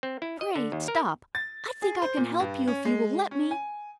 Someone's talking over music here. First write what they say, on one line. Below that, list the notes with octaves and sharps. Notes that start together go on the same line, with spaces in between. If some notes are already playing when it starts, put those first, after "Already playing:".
"Pray, stop; I think I can help you if you will let me."
C4
E4
D#5
D3
D#2
A#4
A6
G#4
C5
A#2
G2
C#4
G#3
C#4
G#5